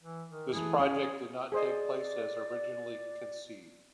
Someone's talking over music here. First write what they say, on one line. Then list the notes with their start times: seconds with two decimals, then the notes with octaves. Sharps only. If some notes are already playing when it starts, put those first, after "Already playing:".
This project did not take place as originally conceived.
0.03 E3
0.29 D#3
0.53 E3 A3 E4 G#4
0.79 C#4 D5
1.52 G#4 C5 D5 D#5